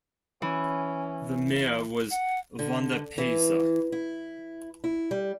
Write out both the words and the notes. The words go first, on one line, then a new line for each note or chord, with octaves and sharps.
The mayor was Vondapeysa.
E3 C#4
F#5
D3
E3
E4
E4
G3